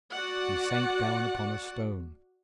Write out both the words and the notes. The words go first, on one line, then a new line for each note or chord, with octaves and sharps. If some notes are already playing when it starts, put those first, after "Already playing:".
He sank down upon a stone.
F#4 D5 F#5